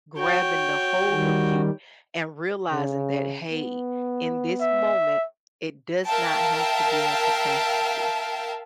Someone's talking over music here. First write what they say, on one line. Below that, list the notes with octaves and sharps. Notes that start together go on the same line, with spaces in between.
grabbin' the whole of you and realizin' that, "Hey, in this moment, it does not have to be a catastrophe."
F#4 C#5 G5
D#3 G3
C#3
B3
E5
A#4 E5 F5 G5 A5